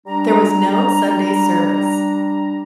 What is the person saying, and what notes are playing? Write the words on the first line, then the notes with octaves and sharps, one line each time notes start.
There was no Sunday service.
G3 D4 A#5